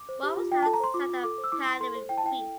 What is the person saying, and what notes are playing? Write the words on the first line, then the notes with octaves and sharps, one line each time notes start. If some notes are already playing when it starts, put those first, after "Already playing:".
What was that sound of pattering feet?
Already playing: D6
C5
G4
F4
F4 G5
A4 A5
A#5
C5 C6
F4 D6
F4
A4 D6
C5
E6
E4 D6
E4 C6
A4 C6
C5
E4 G5
A5
E4 G5
A4